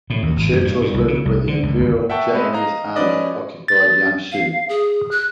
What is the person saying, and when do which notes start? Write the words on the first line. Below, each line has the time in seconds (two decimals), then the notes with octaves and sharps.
The church was looted when the Imperial Japanese Army occupied Jiangsu.
0.10 A2
0.23 D#2
0.36 G#1
0.51 F#2
0.65 G2
0.81 G2
0.94 C2
1.08 C#3
1.25 C2
1.47 D3
1.63 C#2
1.80 G1
2.10 E5 F#5 G5 A5 C#6
2.33 G#3 B3 C4 B4 D#5 E5
2.53 D#5 F5 A#5
2.96 F3 C#4 F#4 B4 D5 D#5
3.68 A6
4.32 F5
4.69 G#4
5.11 F#6